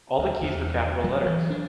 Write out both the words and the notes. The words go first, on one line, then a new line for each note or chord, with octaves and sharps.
All the keys were capital letters.
D2
E2
F#3
E3
D4